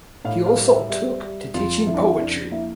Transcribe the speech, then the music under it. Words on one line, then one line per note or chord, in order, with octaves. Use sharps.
He also took to teaching poetry.
A2 F5
F5
G3
E5
G3 E5
G3
F2 F4
F2 E4
D4
E4
E4
F2 D4
A#3 E4